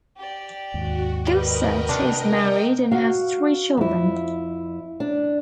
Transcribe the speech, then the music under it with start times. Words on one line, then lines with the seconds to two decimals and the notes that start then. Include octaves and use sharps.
Gossett is married and has three children.
0.17 G4 D5
0.74 D#2 G#2 F#4
1.27 G3 F#4 A#4 B4 D#5 G5
1.89 C3 D#3 D4
2.91 F#4 F5
3.77 F2 E4
5.00 D4